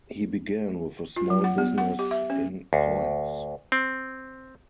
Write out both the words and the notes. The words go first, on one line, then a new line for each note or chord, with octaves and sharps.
He began with a small business in coins.
F4
F#3
F#5
B3
F#5
G4
E5
C#4
D2
C4